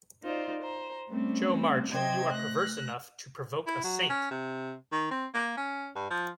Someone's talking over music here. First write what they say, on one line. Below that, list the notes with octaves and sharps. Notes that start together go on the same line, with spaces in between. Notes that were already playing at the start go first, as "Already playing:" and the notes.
Jo March, you are perverse enough to provoke a saint!
D#4 F4 C5 D5
C5 A#5
G3 A3 C4 C#4
C3 F#3 C5 D#5 G5 G#6
A3 F#6 A#6
E4
F#3
C#4
C3
D#3
C4
A#3
C#4
G2
F3